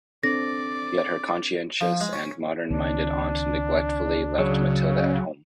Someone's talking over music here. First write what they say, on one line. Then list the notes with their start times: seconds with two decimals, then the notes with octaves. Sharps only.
Yet her conscientious and modern-minded aunt neglectfully left Matilda at home.
0.23 C4 D4 A4 D5 A#6
1.81 F3
2.01 G#3
2.13 C#4
2.70 C#2 D#3 C4 D4
4.38 C#3 F#3